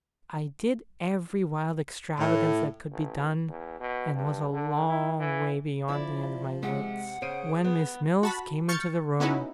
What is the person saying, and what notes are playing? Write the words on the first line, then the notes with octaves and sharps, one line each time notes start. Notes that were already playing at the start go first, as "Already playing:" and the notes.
I did every wild extravagance that could be done, and was a long way beyond the end of my wits when Miss Mills came into the room.
A2
A1
E2
B2
G2
D3
E4
E3
F3 E4 D5
C3 G#3 F#5
C#3 G#4 C5 D7 D#7
B3
F#4 A5 B5
C#6 F6 G6 A6 C#7
B3 C#4 D#4 E4 F#4